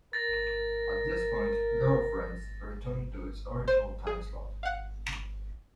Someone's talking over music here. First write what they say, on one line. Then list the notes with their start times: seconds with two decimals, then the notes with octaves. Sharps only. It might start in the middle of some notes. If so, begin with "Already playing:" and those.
At this point, "Girlfriends" returned to its original time slot.
0.13 A#4 A6 A#6
3.68 C5
4.07 G#4
4.63 F5 F#5